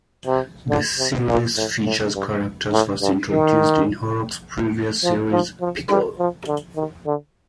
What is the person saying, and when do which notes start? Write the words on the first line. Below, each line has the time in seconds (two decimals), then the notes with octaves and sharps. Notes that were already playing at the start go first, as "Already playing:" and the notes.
The series features characters first introduced in Horrocks' previous series, "Pickle".
0.27 C3
0.70 D3
0.98 C3
1.28 A#2
1.56 A2
1.86 A2
2.15 G2
2.72 A2
3.01 G2
3.30 D#3
5.04 F3
5.32 F3
5.61 F3
5.89 G3
6.19 F3
6.47 D3
6.76 D#3
7.06 D3